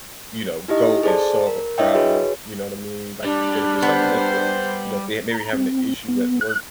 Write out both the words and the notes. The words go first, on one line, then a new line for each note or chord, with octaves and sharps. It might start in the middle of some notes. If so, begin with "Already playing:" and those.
you know, go and solve a problem, you know what I mean, like you said," if it's something that's uh," you know, if they're maybe having an issue at work,
D#4 E4 G4 D#5
G#4 A4 C5 D5 A5
A#4
D4 E4 C#5 D#5 E5 G5
F#4 G#4 B4 C#5
G3 D4
B3 C5
A#5
C4
B3
F#6